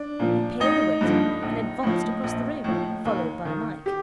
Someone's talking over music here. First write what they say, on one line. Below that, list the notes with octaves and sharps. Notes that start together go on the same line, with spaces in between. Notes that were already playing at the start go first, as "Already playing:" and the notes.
He paid the waiter, and advanced across the room, followed by Mike.
Already playing: D4
A#2 F3
A1 D#4
G2 D3 F3
A#1
A2 F3
A#1
A2 F3
D#2
D#3
G4